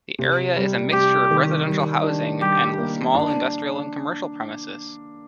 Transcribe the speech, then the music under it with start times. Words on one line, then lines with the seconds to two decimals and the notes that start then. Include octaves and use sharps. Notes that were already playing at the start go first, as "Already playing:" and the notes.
The area is a mixture of residential housing and small industrial and commercial premises.
0.19 C3
0.57 G3
0.93 C3 G4
1.31 D#3
1.67 G3
2.04 D4
2.41 G3 G4
2.78 A#3
3.15 D4